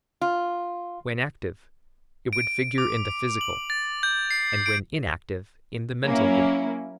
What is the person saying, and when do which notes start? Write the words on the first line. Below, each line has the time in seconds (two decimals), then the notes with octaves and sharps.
When active, it would figure in the physical, and when inactive, in the mental group.
0.21 F4
2.33 D7
2.78 D6
3.41 F#7
3.70 A6
4.03 G6
4.31 C7
4.66 D7
6.03 F#3 A#3 C#4 E4